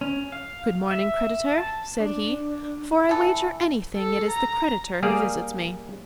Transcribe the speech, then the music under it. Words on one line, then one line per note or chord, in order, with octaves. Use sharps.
"Good-morning, creditor," said he; "for I wager anything it is the creditor who visits me."
C#4
F5
E5
A5
D4
E3 A4
A4
A#5
G3 A#3 G#4 D5 F5